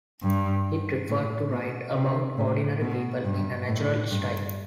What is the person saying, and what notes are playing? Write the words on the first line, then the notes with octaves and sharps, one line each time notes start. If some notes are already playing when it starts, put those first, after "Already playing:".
He preferred to write about ordinary people in a natural style.
G2
A2
B2
C3
A2
B2
G2
A2
G2